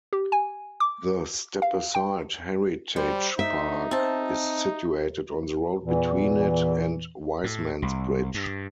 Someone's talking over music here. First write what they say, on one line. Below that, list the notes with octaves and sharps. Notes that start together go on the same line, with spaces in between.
The Stepaside Heritage Park is situated on the road between it and Wisemans Bridge.
G4
G#5
D6
F5
G5
G3 C5
D#4 E5
C4 A5
E2 A#2 E3
A2
C2
G2